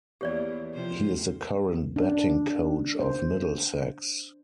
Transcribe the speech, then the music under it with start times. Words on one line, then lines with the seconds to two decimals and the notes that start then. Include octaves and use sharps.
He is the current batting coach of Middlesex.
0.21 E2 A#3 G4 C#5 D5
0.73 C3 F3 C5
1.96 D4
3.00 C5